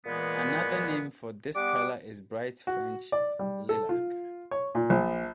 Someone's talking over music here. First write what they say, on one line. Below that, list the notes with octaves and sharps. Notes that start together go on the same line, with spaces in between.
Another name for this color is bright French lilac.
A#2 E3 G#3 B3
G3 B3 F#5 D6
F#4
D5
G3
A4
F4
C#5
A#2
A#1